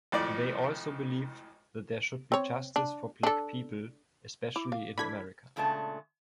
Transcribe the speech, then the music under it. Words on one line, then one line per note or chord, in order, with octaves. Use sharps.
They also believe that there should be justice for black people especially in America.
G#1 F2 A2 D5
C4 C#5
D4
D4 A4
E4 D6
F5
E3 D4 A4 B5 G#6 B6
A#2 C#3 G#3 A3 D4 A5